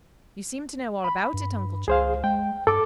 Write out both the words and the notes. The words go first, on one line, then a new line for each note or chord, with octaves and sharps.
"You seem to know all about it, Uncle John."
B5
G2
C#2 G#4 C5 F5
G#3 G5
G2 A4 D6